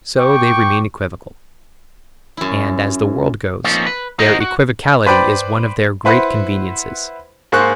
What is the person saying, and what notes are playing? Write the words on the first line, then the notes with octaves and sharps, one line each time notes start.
So they remain equivocal; and, as the world goes, their equivocality is one of their great conveniences.
G5 C#6 D6
F#2 E4
F3 A#3 C4 C#4 D#4 F4
B4
D#4 F#4 A#4 C5 D#5
F#4
B4 C5 D5 G5 B5
E4 B4 C5 F#5
G#2 A#3 C5 C#6 F#6